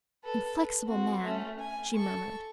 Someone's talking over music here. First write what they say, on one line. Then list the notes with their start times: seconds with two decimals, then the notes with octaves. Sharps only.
"Inflexible man!" she murmured.
0.24 A4 B4
0.58 B4
0.87 C4 F#4
1.23 A3 C#4
1.59 G#5
1.96 A4 C#6